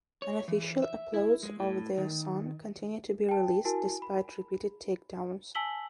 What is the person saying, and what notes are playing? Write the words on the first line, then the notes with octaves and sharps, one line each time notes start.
Unofficial uploads of the song continue to be released despite repeated takedowns.
C#5
E3
E5
E4
G#3
A2
D#3
G5 A5
E4 F#4 A#4 G#5 A5
B5
G#5 A5 E6 B6 F#7 G7